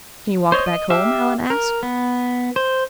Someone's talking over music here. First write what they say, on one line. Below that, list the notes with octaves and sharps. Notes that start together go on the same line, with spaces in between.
"Can you walk back home?" Alan asked.
C5 C#5 D#5
D#5
G4 E5 F5
A#4
B3
C5